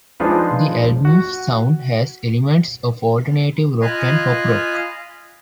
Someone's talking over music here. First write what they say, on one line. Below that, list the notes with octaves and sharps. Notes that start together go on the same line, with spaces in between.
The album's sound has elements of alternative rock and pop rock.
F3 G#3 D4 D#4 F4 B4
F#4
F4 D#5 F5 G#5 B5 F#6